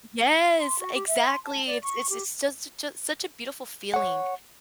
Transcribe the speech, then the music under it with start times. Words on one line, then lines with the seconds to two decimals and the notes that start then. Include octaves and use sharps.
Yes! Exactly, it's it's it's just such a such a beautiful feeling.
0.59 C6
0.79 F#4
0.94 G4
1.07 E5
1.27 C6
1.44 A5
1.66 D5
1.82 C#6
2.09 G4
3.94 C#5 F#5